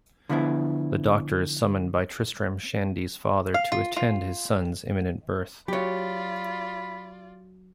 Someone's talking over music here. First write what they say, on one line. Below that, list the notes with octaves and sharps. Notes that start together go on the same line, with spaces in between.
The doctor is summoned by Tristram Shandy's father to attend his son's imminent birth.
D3 F3 B3 E4
F5
F4
F4
F#3 F4 G4 C#5 D5 B5